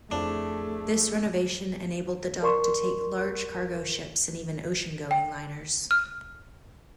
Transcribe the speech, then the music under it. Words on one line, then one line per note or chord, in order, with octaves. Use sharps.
This renovation enabled the dock to take large cargo ships and even ocean-going liners.
F2 F3 A3 D4 E4 G#4
A#4 D5 C6 C#6
G5
F6